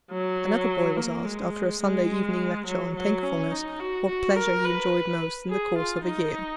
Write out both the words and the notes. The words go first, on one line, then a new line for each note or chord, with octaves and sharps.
Another boy was asked, after a Sunday evening lecture on 'Thankfulness,' what pleasure he enjoyed most in the course of a year.
F#3
A#3
G#3
G#3
F#3
F#3
C#4
D#4
F#4
F#4
A#4
B4
G#4
F4
D#4